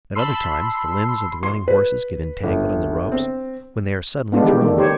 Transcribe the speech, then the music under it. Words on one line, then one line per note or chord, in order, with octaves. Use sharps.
At other times, the limbs of the running horses get entangled in the ropes, when they are suddenly thrown.
A5 B5 C6 E6 C7
C6
B4
G1
C4
G#3 A3 B3 D4 F4
D#3 E3 G4
D#3 G3 A3 A#3
D3 D#3 G4 C5 C#5